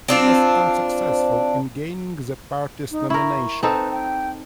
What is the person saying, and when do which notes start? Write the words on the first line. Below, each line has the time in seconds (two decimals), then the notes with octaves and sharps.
He was unsuccessful in gaining the party's nomination.
0.08 C4 D4 F4
2.91 D#4
3.10 E4 A#4 C#6
3.63 C4 D#4 A4 B4
3.92 G5